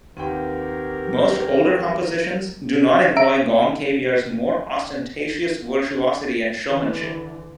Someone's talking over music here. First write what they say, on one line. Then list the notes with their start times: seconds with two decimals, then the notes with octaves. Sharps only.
Most older compositions do not employ gong kebyar's more ostentatious virtuosity and showmanship.
0.17 D#2 C4 G4 A#4 B4 F#5 G5
3.17 E5 A#5 D7
6.67 D3 E3